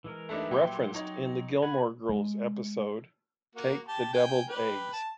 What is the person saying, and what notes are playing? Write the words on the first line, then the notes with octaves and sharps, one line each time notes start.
Referenced in the Gilmore Girls episode, "Take the Deviled Eggs..."
E3 G#3 A#4
A3 D4 D#4 G4 B4 E5
A#2 F#3 G4 F#5 G5 C6
D#4 C#5
F#5 G#5 B5
G#3
A#3 F#4
G4 A5
G5 G#5
G4 B4
A5